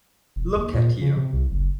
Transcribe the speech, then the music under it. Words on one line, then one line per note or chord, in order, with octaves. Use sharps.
Look at you.
E1
D#2
A#2
C#3
C3
C2
F#1